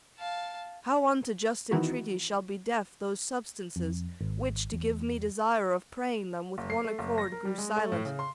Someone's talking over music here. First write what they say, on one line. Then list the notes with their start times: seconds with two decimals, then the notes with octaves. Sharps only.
How unto just entreaties shall be deaf Those substances, which, to give me desire Of praying them, with one accord grew silent?
0.18 F5 A5
1.71 D#3 E3 B3 D#4 E4 F#4
3.76 F2
4.21 G#1
4.72 E2
6.58 F#1
6.70 C7
6.84 A3
6.99 F#1
7.18 A#6
7.32 A#4
7.45 G3
7.58 G#3
7.77 A3
7.92 A2
8.05 C#3
8.19 C6